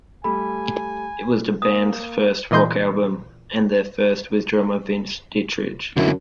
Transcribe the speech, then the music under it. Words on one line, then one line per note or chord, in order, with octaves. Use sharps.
It was the band's first rock album, and their first with drummer Vince Ditrich.
G3 A3 G#5 B5
A#3 D#6
A#2 E3 D#5 C6 G6
F#2 D3 E4